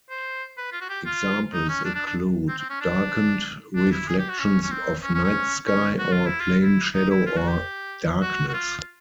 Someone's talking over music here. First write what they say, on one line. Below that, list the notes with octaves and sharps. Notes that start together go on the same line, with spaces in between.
Examples include darkened reflections of night sky, or plain shadow or darkness.
C5
B4
F4
F#4
G4
F4
D#4
C#4
D4
D4
D4
C4
C4
C#4
D4
D4
E4
G#4
G4
F#4
C#4
C#4
C4
C#4
C#4
C#4
C#4
F#4
F4
E4
F4
E4
D#4
E4
F4
F#4
G4
F#4
F#4
F4